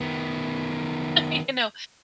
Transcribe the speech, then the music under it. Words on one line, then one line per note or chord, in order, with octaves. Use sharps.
you know,
D#3 B3